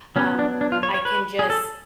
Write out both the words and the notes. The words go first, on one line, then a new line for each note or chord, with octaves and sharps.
um, I can just
F#3 B3 C#4
D4
D4
F4
C#5
C#5
B4
G#4
A4